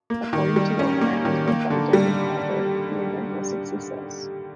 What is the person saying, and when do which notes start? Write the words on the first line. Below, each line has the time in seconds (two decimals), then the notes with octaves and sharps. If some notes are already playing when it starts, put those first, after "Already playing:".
According to organizers led by Debbie Plopper, the event was a success.
0.10 A#3
0.33 D#3
0.56 G3
0.79 C#4
1.01 A#3
1.25 D#3
1.48 A#3
1.70 D3
1.93 G3